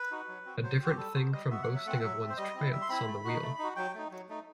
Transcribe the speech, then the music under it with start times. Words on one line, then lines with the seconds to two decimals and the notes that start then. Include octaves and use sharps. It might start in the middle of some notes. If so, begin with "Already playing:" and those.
A different thing from boasting of one's triumphs on the wheel.
Already playing: B4
0.11 D#4 F#4
0.29 F#3
0.46 C4 F#4
0.63 F#3 C5
0.81 C4 F#4 G4
0.97 G3 A4
1.15 B3 F#4 C5
1.32 G3 D#5
1.50 B3 F#4 E5
1.63 F#5
1.68 F#3
1.75 E5
1.85 A3 C4 F#5
1.99 F#3 E5
2.20 A3 C4
2.30 C5
2.37 G3 D#5
2.55 C4 E4
2.72 G3 E5
2.82 C6
2.89 C4 E4 B5
3.06 A3
3.24 D#4 F#4
3.43 A3
3.59 D#4 F#4
3.76 F#3 G5
3.95 A3 D#4
4.11 F#3
4.29 A3 D#4